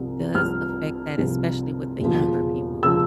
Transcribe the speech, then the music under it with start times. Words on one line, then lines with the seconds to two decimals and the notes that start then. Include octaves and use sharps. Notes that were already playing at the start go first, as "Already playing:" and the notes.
does affect that, especially with the younger people.
Already playing: C2 C3 F3
0.34 C2 C3 F3 F6
1.17 C2 C3 F3
2.00 E1 D#2 C#3 F3
2.83 C#3 F3 E6